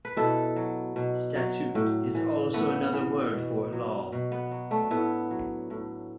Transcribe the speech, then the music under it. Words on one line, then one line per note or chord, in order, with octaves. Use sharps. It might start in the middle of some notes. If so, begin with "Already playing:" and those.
Statute is also another word for law.
B4
B2 E4 A4
F#3
B2
F#3
A2
E3
A2 B3 E4
E3
B2
F#3
B2
B3
F#3
A3 D4
A2 B3 E4
F#3
A2